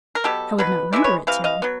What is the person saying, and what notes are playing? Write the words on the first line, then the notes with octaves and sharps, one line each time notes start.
"I would not render it to him."
A#4
B2 F#3 B3 G4 A4
B2 F#3 B3 B4
C3 E3 G#3 D5 E5
B4 C#5
C3 E3 F5
D#5 F5
F#3 B3